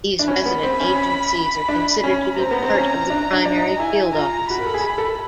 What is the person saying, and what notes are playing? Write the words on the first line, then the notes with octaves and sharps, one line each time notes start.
These resident agencies are considered to be part of the primary field offices.
D4
C#4 B5
B3
C4
C#4
D4
C#4
C4 A#5
B3
C4
C#4
D4
D4
D4
D#4
E4 G#5
F4 A#5
F#4 B5
A#4
A4
G#4
A4